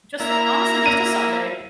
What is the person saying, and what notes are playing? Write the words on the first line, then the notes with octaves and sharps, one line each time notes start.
just a honestly just a Sunday.
A#3 E4 A#5
D#7